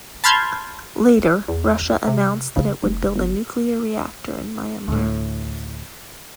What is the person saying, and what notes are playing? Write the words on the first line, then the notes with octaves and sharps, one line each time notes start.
Later, Russia announced that it would build a nuclear reactor in Myanmar.
A5 B5 C6 F6 G6 G#6
E2
C3
C#3
F1
G1
D2 A2